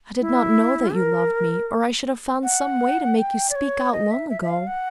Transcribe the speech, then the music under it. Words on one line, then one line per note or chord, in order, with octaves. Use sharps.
I did not know that you loved me, or I should have found some way to make you speak out long ago.
E4
A#4
F#5
G5
D5
C#5
D#5
E5
E5
E5
F5
F#5